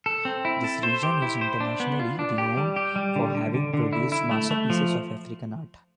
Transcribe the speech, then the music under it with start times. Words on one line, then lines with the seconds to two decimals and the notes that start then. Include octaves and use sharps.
This region is internationally renowned for having produced masterpieces of African art.
0.06 A4
0.25 C4
0.45 E4
0.64 A4
0.83 C5
1.03 G4
1.22 E4
1.41 C5
1.60 D4
1.80 B3
1.99 F4
2.19 D4
2.38 G4
2.57 G3
2.76 G4
2.96 G3
3.16 D3
3.35 D3
3.54 D3
3.74 D3
3.93 E4
4.12 E4
4.31 A3
4.51 A3
4.70 F3